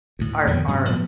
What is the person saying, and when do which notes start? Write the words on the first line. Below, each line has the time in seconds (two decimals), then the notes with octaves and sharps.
our our
0.19 D2 A2
0.47 F2 B2 D3 D#3
0.68 G2 C3 F#3 C#4
0.89 A2 F3 F#3 B3